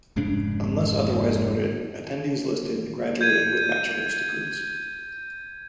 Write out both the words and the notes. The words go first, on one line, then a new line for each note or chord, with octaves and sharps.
Unless otherwise noted, attendees listed graduated with bachelor's degrees.
F1 G#2 C#3 D4
G6 G#6 D#7